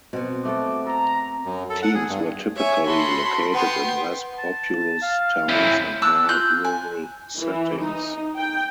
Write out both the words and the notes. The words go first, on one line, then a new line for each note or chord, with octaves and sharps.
Teams were typically located in less populous towns and more rural settings.
B2 B3 C4
A3 F#4 A4 D6
A4 A#5
F#2
A4
F#5
G#4
G2
C#5 E5 G#5
F#4 A4 B5 C6
B3 G5 C6
A5
F5
C4 C#4 E4
A5 D6 E6 F#6
F4 F#6 G6
G#5
E3
D#4
G5